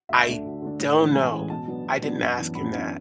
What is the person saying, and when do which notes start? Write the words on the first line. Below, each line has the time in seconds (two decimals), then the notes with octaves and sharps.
I don't know, I didn't ask him that.
0.09 D2 E5
0.26 D3 A3 D4
0.45 D2
0.62 D3 A3 D4
0.80 A2
0.97 E3 G#3 C#4
1.15 A2 G#5
1.32 E3 G#3 C#4
1.50 B2 A5
1.68 F#3 B3 D4
1.85 B2
2.03 F#3 B3 D4
2.21 F#2
2.38 E3 B3 D4
2.55 F#2 B5
2.73 E3 B3 D4